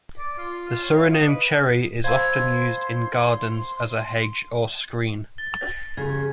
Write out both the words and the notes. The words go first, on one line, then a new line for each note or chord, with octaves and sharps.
The Suriname cherry is often used in gardens as a hedge or screen.
D5
F4
F4
C#5
F5
D#5
B4
C5 F5 A5 B5 C6 E6 G#6
A6 G7
C#3 G4 G#6